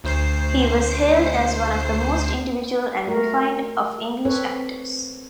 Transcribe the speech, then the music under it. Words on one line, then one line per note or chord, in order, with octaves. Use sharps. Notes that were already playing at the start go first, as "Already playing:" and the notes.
He was hailed as one of the most individual and refined of English actors.
D2 C5 C7
A3 F#4 A#4
C4 A4 B4 C#5